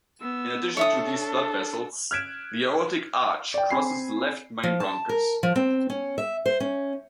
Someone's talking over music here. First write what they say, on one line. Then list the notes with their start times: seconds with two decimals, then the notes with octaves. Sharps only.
In addition to these blood vessels, the aortic arch crosses the left main bronchus.
0.21 B3 E6
0.77 D4 A4 C#5 E5 D#6
2.11 F6 F#6 G#6 B6 D7 E7
3.54 D5 G5
3.70 C4 G#5 B5 C7
4.63 F3
4.80 A5
5.09 A#4
5.43 F3
5.56 C4
5.90 C#4
6.18 E5
6.46 C5
6.60 C#4